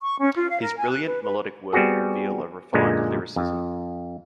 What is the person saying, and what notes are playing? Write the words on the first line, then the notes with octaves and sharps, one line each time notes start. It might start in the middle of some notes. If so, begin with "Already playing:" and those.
His brilliant melodic work reveal a refined lyricism.
C#6
C#4
F4
F5
A#4
G#5
F#6
B4
B4
G3 B3 C4 F#4 G#4
F#2 A#2 D3 G#3
F2